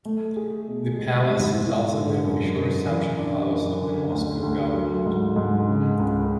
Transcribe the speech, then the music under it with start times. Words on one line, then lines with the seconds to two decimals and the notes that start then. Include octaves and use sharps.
The palace is also the official Reception House of the Moscow government.
0.05 A3
0.36 G#4
0.68 B2
0.99 G#3
1.30 G#2
1.62 G#2
1.93 D3
2.24 F#2
2.56 F#2
2.86 E3
3.18 D4
3.49 F#2
3.81 D3
4.12 D2
4.42 D2
4.74 F#3
5.05 G#2
5.36 G#2
5.68 C#3
5.99 C#2